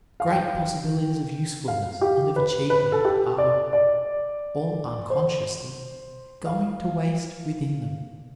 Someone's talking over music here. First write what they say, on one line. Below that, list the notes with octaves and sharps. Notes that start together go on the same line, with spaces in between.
Great possibilities of usefulness and of achievement are, all unconsciously, going to waste within them.
F5
G5
F5
G4
B4
B4
A4
G4
D5
D5
C5
F5